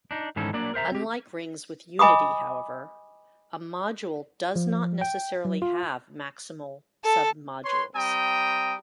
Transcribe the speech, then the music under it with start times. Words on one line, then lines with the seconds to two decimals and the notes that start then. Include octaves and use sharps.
Unlike rings with unity however, "a module does not necessarily have maximal submodules".
0.11 D4 D#4
0.36 G#2 D#3 E3 C#4 A4
0.53 F#3 A#3 D4 D5
0.74 A#4 C5 E5 A#5
0.92 C4 G4
1.99 D#5 G#5 B5 D6 D#6
4.56 F3
5.01 G5
5.45 F#3
5.62 F4
7.04 A4
7.65 B4 C#5 C6
7.95 G3 C4 G5 A#5 D#6